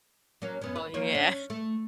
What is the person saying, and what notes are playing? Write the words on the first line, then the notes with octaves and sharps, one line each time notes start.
Oh, yeah.
F#3 A#3 C#4
F#2 B3 C#4
B4
F3 A#3 C#5
C#4 D4
A3